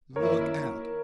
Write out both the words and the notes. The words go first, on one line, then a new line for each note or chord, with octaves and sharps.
Look out!
F#2 D#3 A#3 E4 A#4 C#5